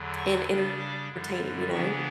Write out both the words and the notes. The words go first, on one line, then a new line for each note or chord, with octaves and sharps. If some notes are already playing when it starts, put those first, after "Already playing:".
and entertaining, you know?
Already playing: E2 D3 F#3
C#6
C#3 G3 D4
D6
F#2 D3 G3
C#3 E3 B3 D4 C#6